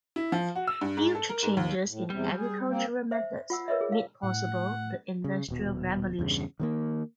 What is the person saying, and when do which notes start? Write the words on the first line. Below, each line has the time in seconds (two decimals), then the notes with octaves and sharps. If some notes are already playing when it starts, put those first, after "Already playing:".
Huge changes in agricultural methods made possible the Industrial Revolution.
0.16 E4
0.32 F3
0.55 F#4
0.67 E6
0.81 G2
0.97 G#2
1.15 A4
1.29 A#4
1.43 G#2
1.57 D#2
1.89 A2
2.10 E2 C3 G3
2.37 G#4
2.69 A#3 C4
3.11 C5 E5
3.50 F4 F#5 E6
3.68 A#4 B4 C#5 D#5 E5
3.81 G#4
3.92 F5
4.23 A2 F#5
5.24 C#3
5.48 D#1 B2
6.19 E2 G2 C#3
6.60 D#3 A3 A#3